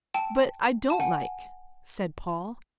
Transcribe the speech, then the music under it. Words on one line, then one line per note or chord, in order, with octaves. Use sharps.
"But I don't like," said Paul.
G5 A5
A5
F#5 G#5